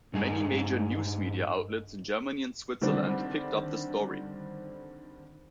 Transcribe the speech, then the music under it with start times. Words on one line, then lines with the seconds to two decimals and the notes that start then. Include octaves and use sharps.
Many major news media outlets in Germany and Switzerland picked up the story.
0.14 G2 D#4 G#4
2.81 D3 D#3 G3 C4 D4